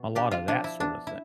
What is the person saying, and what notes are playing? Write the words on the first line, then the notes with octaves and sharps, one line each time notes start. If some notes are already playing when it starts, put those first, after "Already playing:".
a lotta that sort of thing.
Already playing: B2
D4 G4
F4
F3 D4
E4
B3 D4
E4